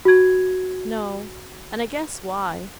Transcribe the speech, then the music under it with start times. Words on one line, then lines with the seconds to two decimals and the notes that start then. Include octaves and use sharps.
'No; and I guess why.
0.05 F#4 G#6